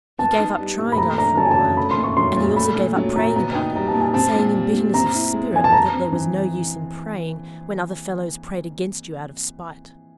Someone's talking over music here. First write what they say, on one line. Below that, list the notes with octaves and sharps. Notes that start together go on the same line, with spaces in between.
He gave up trying after awhile; and he also gave up praying about it, saying in bitterness of spirit that there was no use in praying when other fellows prayed against you out of spite.
B3 A5
D#4
G3
A#2
B5
A3 A#5
D4 A#5
F#3 A5
G#5
A5
C#3
A3 B5
C6
A#2
C#6
F#3 C6
A#2 C6
A3 B5
A#2
F#3
A#2 A#5
B3 A#5
D#4 G5
G3 A#5
A5
A#2
G#5
C4 A5
A#2
G3
A#2
C4 A#5
E4
G#3
F3 G#5
A5
G#3 A#5
C4
E3